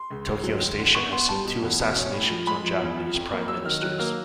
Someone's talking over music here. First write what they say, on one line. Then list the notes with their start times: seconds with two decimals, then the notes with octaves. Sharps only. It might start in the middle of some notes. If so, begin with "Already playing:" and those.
Tokyo station has seen two assassinations on Japanese prime ministers.
Already playing: C6
0.11 C#2
0.27 C#2
0.44 F#3
0.61 D#2
0.79 D3
0.95 B3 C#6
1.12 B3 C6
1.28 G3 A5
1.45 B2
1.63 E2
1.80 B2
1.96 C#4
2.14 A2
2.30 F3
2.47 G#3 B5
2.63 F3
2.80 E2
2.97 F3
3.14 F2
3.31 A#3
3.48 F#3 E6
3.65 D#3 F6
3.82 F#3 F#6
3.98 A#3 F6